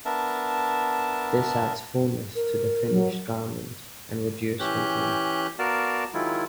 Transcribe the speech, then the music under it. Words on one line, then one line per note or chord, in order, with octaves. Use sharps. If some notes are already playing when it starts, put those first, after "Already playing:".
This adds fullness to the finished garment and reduce wrinkling.
B3 D4 A#4 E5 A5
A#4
F#3
E3 C#4 G4 F#6 G6
B3 F#4 A#4 D5 F5 A5
D#3 F#3 G#3 E4 F4